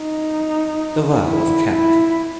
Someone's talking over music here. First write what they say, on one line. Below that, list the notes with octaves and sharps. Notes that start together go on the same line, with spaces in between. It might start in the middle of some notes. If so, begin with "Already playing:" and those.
The well was capped.
Already playing: D#4
E4
E4